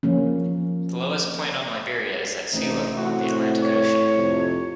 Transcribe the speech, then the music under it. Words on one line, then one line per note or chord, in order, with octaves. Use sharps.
The lowest point on Liberia is at sea level on the Atlantic Ocean.
F3 A#3 C#4
A1 C3 E3 C4 D#4
A2 F#4
C#5
F2 C3